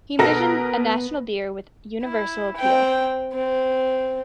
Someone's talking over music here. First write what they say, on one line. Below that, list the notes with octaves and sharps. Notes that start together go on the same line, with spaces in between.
He envisioned a national beer with universal appeal.
B2 B3 A4 A#4 A#6
E4
C4 G5
C4